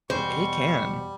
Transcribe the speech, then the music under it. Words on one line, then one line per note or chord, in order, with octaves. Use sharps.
A can.
E2 B2 G3 C5 C#6